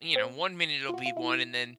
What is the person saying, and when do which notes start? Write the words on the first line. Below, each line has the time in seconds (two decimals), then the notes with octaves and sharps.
you know, one minute it'll be one, and then
0.16 C4
0.89 F4
0.94 F#4
1.06 F4
1.17 E4